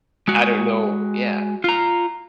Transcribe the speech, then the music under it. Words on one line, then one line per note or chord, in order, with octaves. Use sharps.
I don't know yeah.
G#3 F#4
F4 A#5